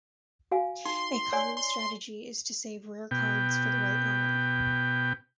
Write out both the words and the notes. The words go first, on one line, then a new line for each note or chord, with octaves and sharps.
A common strategy is to save rare cards for the right moment.
F#4 F5 G#5
D#4 C6
C#5 D5 G#5
C6
B2 G5